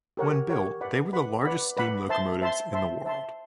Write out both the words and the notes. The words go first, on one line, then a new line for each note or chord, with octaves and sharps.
When built, they were the largest steam locomotives in the World.
G4 A#4 C#5 F#5
G4 A#4 C#5 F#5
B4 D5 F#5 B5
B4 D5 F#5 B5
B4 D5 F#5 B5
B4 D5 F#5 B5
C5 E5 A5 C6
C5 E5 A5 C6
C5 E5 A5 C6
C5 E5 A5 C6